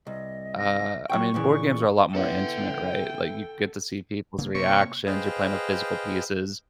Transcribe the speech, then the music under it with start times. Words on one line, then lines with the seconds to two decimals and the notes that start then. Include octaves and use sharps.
uh, I mean, board games are a lot more intimate, right, like you get to see people's reactions, you're playing with physical pieces.
0.07 C2 D#5
0.58 A#6
1.10 F#3 G5 C#6
1.34 A#2 C#3 E3
2.15 B3 E4 A4 F#5 G5
4.38 C#3 A#3
4.55 C3 A#3 C4 C#4 C#5 C#6
5.06 G#4 B4 C5 D#5 F5 G5